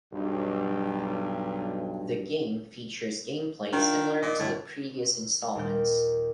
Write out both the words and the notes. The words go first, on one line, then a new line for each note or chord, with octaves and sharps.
The game features game play similar to the previous installments.
B1 G2
D#3 D4 F4
A#2 D#5
G1 A2
D#2 A#2 A#4 G6